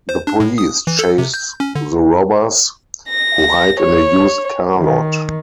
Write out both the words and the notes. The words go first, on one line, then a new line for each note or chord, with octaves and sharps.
The police chase the robbers, who hide in a used car lot.
C5
D4
A2
D#6
E3
A4
C3
G6
C#4
D3
A#6
C#5
D#3